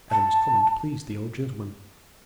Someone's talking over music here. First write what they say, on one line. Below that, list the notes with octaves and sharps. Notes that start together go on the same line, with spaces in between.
Adam's comment pleased the old gentleman.
A5